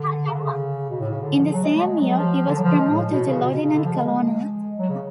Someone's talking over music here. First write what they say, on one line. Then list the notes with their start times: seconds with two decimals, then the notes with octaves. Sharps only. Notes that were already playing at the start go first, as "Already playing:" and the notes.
In the same year he was promoted to lieutenant colonel.
Already playing: D3
0.26 C#3
0.33 D3
0.40 C#3
0.90 B2
1.00 A2
1.11 C#3
1.21 D3
1.37 F3
1.53 F#3
1.63 G#3
1.74 A3
1.84 G#3
2.00 F#3
2.16 F3
2.48 D3
2.57 F#3
2.63 F3
2.79 G#3
2.89 A2
3.11 B2
3.26 C#3
3.42 B2
3.53 B2
3.64 C#3
3.74 D3
3.84 F3
3.95 G#3
4.05 G#3
4.79 F#3
4.89 C#3